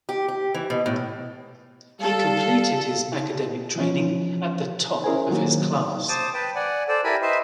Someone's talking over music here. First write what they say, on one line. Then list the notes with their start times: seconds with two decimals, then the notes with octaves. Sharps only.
He completed his academic training at the top of his class.
0.09 G4
0.28 G4
0.54 E3
0.70 B2
0.86 A2
2.00 G3 A4 F5
3.76 E3 F3 C#4
5.04 C#4 E4 G#4 A#4 C5 G#5
5.30 D#3 F#3 A#3
6.09 C5 A5 D6 D#6
6.34 B4 G5 A5
6.55 D5 F#5 G#5
6.88 A4 C5 D5
7.04 E4 G4 A#4 G#5 A5 B5
7.22 B4 C5 D#5 E5 C6